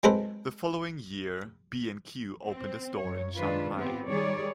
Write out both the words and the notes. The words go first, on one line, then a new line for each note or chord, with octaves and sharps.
The following year, B and Q opened a store in Shanghai.
F#3 G#3 C4 A4 B4 C5
C4
F#2 C#5
G#2 D#3 G#3 D4 F4 B4
B3 C4 F4 G4
D#3 G3 G#4 C#5 D5